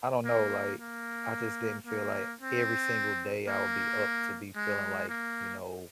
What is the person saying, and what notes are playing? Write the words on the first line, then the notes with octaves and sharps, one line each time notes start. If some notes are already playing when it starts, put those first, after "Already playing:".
I don't know, like, I just didn't feel like every single day I would be up to be feeling, like, you know,
A#3
A#3
A#3
C4
A#3
G#3
A#3